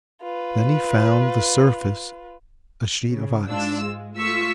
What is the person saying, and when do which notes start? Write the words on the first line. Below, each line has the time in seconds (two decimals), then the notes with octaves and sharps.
Then he found the surface a sheet of ice.
0.22 F4 B4
3.10 C#3
3.47 G#2 D4 F4 E6
3.84 G#3
4.17 A3 F4 C#6 E6 B6